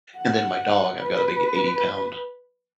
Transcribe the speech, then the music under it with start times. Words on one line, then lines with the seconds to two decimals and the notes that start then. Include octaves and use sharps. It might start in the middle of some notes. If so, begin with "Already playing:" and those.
and then my dog I've got a big eighty-pound
0.18 F#5
1.01 B4